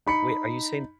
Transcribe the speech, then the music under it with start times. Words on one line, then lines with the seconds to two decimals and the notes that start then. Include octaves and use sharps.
Wait, are you saying
0.06 D#4 B5 C#7